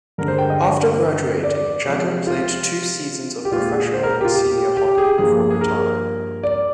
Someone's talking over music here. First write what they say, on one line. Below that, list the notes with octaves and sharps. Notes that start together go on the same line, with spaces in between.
After graduating Jagger played two seasons of professional and senior hockey before retiring.
G2 D3 G#3 A#4
C5
G5
D#5
D5
C3 F3 G#3
F4
G4
A#2 G#3 F4
G#4
G#4
C5
A#4
G4
F4
G4
G4
G#4
G2 F3 A#3 G#4
G#4
A#4
D5